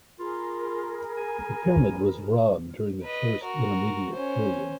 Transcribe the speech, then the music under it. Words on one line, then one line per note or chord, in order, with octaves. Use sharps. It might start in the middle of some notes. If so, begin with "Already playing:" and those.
The pyramid was robbed during the First Intermediate Period.
F4 G#4 A#4 B5
G#5
B4 D#5
F#4 A#4
C#4 C5